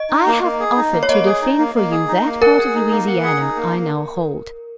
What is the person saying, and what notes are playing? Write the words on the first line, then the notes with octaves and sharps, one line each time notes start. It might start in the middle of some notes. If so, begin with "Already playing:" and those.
I have offered to defend for you that part of Louisiana I now hold.
Already playing: D#5
D#4
A#3
A#3
G#4
D#4
A#3
C#5
A#3 D#5
G#4
D#4
A#3
A#3
G#4
D#4
A#3
A#4 F#5
G#4
D#4
A#3
F#5
G#4
D#4
A#3